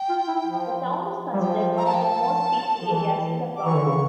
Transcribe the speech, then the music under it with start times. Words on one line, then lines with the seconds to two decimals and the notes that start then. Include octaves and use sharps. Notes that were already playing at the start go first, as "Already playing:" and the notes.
The town is considered one of the most peaceful areas in the province.
Already playing: G5
0.09 F4
0.28 E4
0.46 F3
1.34 G3
1.40 F3 G5
1.78 A#5
1.86 A5
1.94 G5
2.03 A5
2.82 F3
2.90 E3
3.56 D6
3.65 E3 C#6
3.75 D3
3.85 C#3